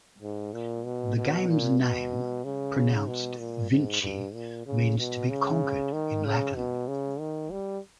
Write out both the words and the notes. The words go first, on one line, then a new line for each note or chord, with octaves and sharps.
The game's name, pronounced "Vinchi", means "to be conquered" in Latin.
G#2
A#2
B2
B2
A#2
B2
C#3
B2
A#2
G#2
G2
A#2
C#3
B2
C#3
D#3
C#3
B2
C#3
D#3
G3